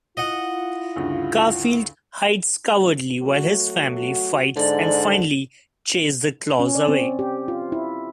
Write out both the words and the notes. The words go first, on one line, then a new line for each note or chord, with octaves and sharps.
Garfield hides cowardly while his family fights and finally chase the Claws away.
E4 F4 D#5 F#5
D2 G2 C#3
F#3 A3 F#4
G#2 D3 D5
C#4
D5
C4
G4
F4
E4